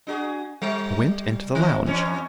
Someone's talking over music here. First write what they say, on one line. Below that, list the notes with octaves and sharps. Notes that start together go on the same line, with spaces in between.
I went into the lounge.
D4 F#4 G#4
G3
D#3 C4
E2 C#4 C#5